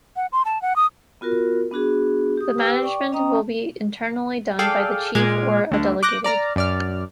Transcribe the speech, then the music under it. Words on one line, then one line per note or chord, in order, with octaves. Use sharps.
The management will be internally done by the Chief or a delegated.
F#5
C6
A5
F#5
D#6
B3 F4 F#4 A#4
B3 D4 F#4 G#4
G4 D#6
G4 B4 G5 D6 E6
D5 G5 C#6 D6
C#4 D#5 G5 A#5 D#6
G#4 A4 D5 F5 G5
A#2 G#3 D6 F6 G#6
D2 D3
D6 F#6 G6 A#6
D5 A#5 F6
F#2 D5 F6